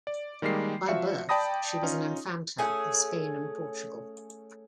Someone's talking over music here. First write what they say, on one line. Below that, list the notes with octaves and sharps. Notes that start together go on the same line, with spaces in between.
By birth, she was an infanta of Spain and Portugal.
D5
D#3 G3 G#3 A#3 C7
F3 F#4 E5 F5 C#7
D5 G5 A5 B5 D#6 A#6
C#4 D#4 F4
A3 C#4 G#4